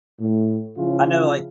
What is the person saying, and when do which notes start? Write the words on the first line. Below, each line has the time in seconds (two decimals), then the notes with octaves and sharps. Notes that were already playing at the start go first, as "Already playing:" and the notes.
I know, like
0.20 A2
0.77 C#3 F3 C#4 E4 F4